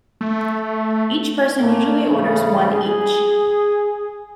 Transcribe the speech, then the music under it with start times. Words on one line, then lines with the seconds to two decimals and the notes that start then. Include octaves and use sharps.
Each person usually orders one each.
0.21 A3
1.60 A2 A3 A#3
2.09 G#2 C#3 E3
2.71 G#4